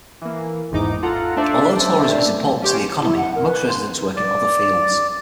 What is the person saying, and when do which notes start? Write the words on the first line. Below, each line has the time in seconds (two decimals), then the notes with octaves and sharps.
Although tourism is important to the economy, most residents work in other fields.
0.21 E3 A#3
0.71 G#1 E2 G#2 D#4 D6
1.02 F4 A4 F#5 A#5
1.36 A3 D4 A4 C5 D5 E5
2.62 C#4 G4 C5
3.00 E4
3.17 F#5
3.35 A#4
3.47 B4
3.69 C6
4.17 D5